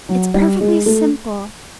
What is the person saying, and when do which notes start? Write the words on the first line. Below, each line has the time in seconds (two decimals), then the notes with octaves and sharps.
It's perfectly simple.
0.09 F#3
0.34 G3
0.61 G#3
0.86 A3